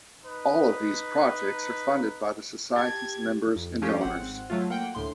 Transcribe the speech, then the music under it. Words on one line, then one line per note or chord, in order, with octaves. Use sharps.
All of these projects are funded by the Society's members and donors.
D#4 B4
G4 A5 G#6 A6
F2
F3 A3 C#4 F4 G4
G#1 C4 F#5
F#3 A3 F4
A#3 F#5 G5
D2 A2 C6